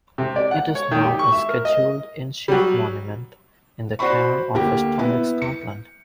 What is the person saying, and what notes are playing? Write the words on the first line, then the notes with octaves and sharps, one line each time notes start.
It is now a Scheduled Ancient Monument, in the care of Historic Scotland.
C3
D5
F#5
C#5
D#3
G4
C#6
E5
A#4
D#5
F#3 G3
F#4 C5 D5 B5 C#6
D2 A#3 G4
B3 E4
C#7